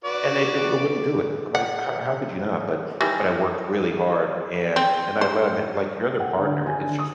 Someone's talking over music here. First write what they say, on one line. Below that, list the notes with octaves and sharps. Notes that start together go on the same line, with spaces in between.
and they d wouldn't do it. I'm like, "How how could you not?" But but I worked really hard, and and I'd let 'em like, "Your other partner is just
F#4 B4 D5
F#5
D#3 E3 G3
C4
C5
F#5
D3
G#5
D3
D#6